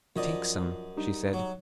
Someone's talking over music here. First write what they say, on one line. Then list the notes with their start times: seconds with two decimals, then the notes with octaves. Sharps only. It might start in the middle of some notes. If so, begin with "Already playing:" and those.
"Take some," she said.
0.16 F#2 F3 D5 D#5
0.96 G3 D#4
1.33 F#3